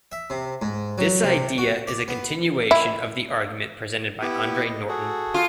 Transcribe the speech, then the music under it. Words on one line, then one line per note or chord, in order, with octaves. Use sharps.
This idea is a continuation of the argument presented by Andre Norton.
E5
C3
G#2
F#3
C3
F#4
D5
B3
E4
B3 E4 G4
D#5
F#4 G#4 A4
F4